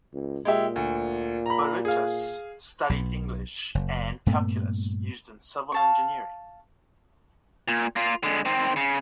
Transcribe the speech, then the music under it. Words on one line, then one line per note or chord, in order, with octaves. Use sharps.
Balutis studied English and calculus used in civil engineering.
C#2
A#2 G#3 G4 E5
D2
A#5 B5
G#4 F5
B1 B2
F#1
G2 A#2 A3 B3
F5 A5 C#6
A#2
A#3 F4
D3 G#3
D#3 C4
C#3